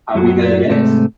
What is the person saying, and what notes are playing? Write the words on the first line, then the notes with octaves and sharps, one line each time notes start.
Are We There Yet?
F#2 F#3
G#2 C3 A3